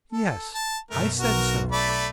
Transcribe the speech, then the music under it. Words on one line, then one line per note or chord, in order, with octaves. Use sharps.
'Yes, I said so.
A4
A5
F#2 B2 A3 A#4
B1 F#4 A#4
A3 D5 B5